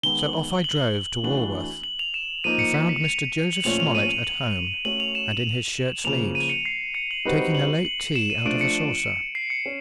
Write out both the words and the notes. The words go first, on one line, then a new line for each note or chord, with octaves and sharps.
So off I drove to Walworth, and found Mr. Joseph Smollet at home and in his shirtsleeves, taking a late tea out of a saucer.
D#3 G#3 B3 G7
F#7
G7
F#7
E3 A3 D4 F#4 F#7
F#7
F7
E7
F3 A#3 D#4 D#7
C#7
B6
B6
F7
F#7
A#2 F3 A3 C#4 F4 F7
F7
D#7
F7
F#7
A3 C#4 F#4 F#7
F7
E7
C#3 F3 A#3 F7
D#7
C#7
C7
C#7
F#7
G3 C4 D#4 F#4 B4
F#7
F#7
E7
D#7
F3 A3 D4 F4 D7
C#7
C7
C#7
C#4